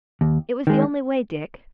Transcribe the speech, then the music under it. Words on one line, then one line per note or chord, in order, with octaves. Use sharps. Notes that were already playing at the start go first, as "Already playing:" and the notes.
'It was the only way, Dick.
D#2
D#3 G#3